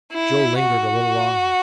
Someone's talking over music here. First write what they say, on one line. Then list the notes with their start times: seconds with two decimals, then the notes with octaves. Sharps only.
Joe lingered a little longer.
0.13 E4
0.60 F#4